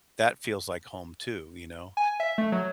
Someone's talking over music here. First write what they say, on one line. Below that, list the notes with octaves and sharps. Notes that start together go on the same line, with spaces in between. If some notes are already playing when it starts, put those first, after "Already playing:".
that feels like home, too, you know,
G#5
E5
A3
F#3